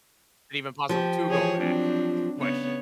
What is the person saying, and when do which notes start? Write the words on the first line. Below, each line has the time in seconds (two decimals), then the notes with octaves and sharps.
Even possible to go back- is the question.
0.89 F3 G4
1.28 E3 G#4 C#5
1.60 F#3 C4 D4
2.38 C#3 B3 C#5